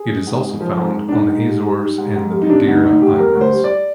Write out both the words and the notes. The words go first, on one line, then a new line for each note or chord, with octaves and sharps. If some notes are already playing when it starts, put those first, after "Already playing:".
It is also found on the Azores and the Madeira Islands.
Already playing: G#4
G#3
G#2
G#2
F3
G#2
G#2
D4
G#2 D#4
G#2
G3
G3
G3
G#2
G#2
G3
D#4
C3 D4
D2 D#4
D2 D#4
D2 G4
G3 A#4
D2
C5
G3
D5